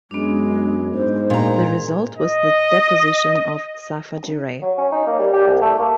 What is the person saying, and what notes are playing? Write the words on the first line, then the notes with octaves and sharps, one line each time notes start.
The result was the deposition of Safa Giray.
F#2 G#3 B3 D4
G#2 C5
A#2 A#5
D#5
F#3
C#4
D#4
A#3
G3
G4
C2
A3
A#3